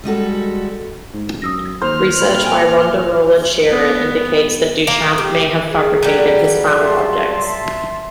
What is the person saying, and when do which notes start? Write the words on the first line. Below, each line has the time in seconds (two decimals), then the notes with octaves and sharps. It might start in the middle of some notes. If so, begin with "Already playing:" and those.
Research by Rhonda Roland Shearer indicates that Duchamp may have fabricated his found objects.
0.04 G3 G#3 F#4 A4
1.14 G#2
1.42 F#2 D#6 E6 A#6
1.82 D#2 C5 F6
2.18 A#2 B5 F#7
2.44 G5 G#5
3.70 B3
4.87 A#3
5.18 G4
5.71 G#4
6.03 F#3 G3
6.81 E5 A5 C6